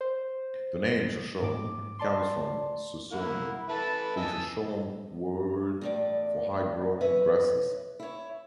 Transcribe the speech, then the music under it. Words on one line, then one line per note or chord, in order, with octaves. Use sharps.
The name "Shoshone" comes from "Sosoni", a Shoshone word for high-growing grasses.
C5
G#2 D6
D5 A5 C6
A#3 E4 F#5
E4 A4 B4 A5
D#5 G#5 A5 E6
E2 A2 D5
B4 C#5 D#5 E5
E4 C#5